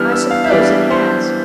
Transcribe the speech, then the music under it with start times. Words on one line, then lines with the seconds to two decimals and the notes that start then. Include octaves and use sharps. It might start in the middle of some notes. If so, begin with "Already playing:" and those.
I suppose it has.
Already playing: E3 G3 B3 D4 F6
0.12 E6
0.31 F5
0.44 E5
0.51 E3 G3 B3 D4 D5
0.90 C5